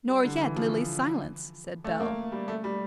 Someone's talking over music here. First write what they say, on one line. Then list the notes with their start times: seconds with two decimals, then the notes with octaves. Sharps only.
"Nor yet Lily's silence," said Bell.
0.09 G3
0.24 D3
0.41 E3
0.56 F3
1.84 A3
2.00 A#3
2.32 G3
2.48 A3
2.64 G3